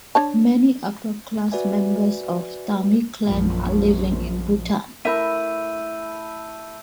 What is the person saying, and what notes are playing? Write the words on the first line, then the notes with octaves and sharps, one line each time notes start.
Many upper class members of Thami clan are living in Bhutan.
D4 C#5 A5
F#4 B4 D5 E5 G#5
A#1 F#2 F3
A3 E4 A#4 E5 E6 G6 D#7